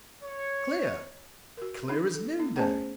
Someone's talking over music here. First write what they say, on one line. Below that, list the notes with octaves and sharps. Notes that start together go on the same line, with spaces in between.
Clear!--clear as noonday!
C#5
F#4 A#4
D4 D#4
A4
B3 D#4
A3 C#4 G#4 C5 G#5 A5